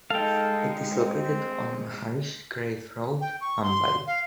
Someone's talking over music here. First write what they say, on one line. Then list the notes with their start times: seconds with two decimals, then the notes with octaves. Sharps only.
It is located on Maharishi Karve Road, Mumbai.
0.10 G#3 D#4 A4 F5 G5
0.93 C4
1.28 G#3
3.21 G5
3.41 C#6
3.63 C6
4.07 F5